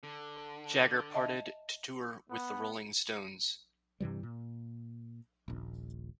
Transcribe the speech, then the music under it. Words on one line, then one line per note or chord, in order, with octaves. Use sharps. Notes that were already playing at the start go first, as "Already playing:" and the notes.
Jagger parted to tour with the Rolling Stones.
D3
D#5 E5 A5
B3
G2 C3 E3 G3
A#2
D#1 A#1